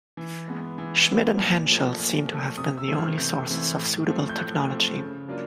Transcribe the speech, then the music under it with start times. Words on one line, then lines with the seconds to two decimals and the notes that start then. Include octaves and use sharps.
Schmidt and Henschel seem to have been the only sources of suitable technology.
0.17 E3
0.48 G#3 B3
0.78 E3
1.07 G#3 B3
1.37 A#2 F6
1.68 F3 A3
1.98 A#2
2.27 F3 A3
2.58 C3 D#6
2.78 E6
2.88 E3 A3 C4
2.98 F6
3.18 C3 G6
3.48 E3 A3 C4
3.78 A2
4.08 F3 A3 C4
4.29 G6
4.38 A2 F#6
4.68 F3 A3 C4
4.99 C#3
5.28 F#3 A#3 D4 F4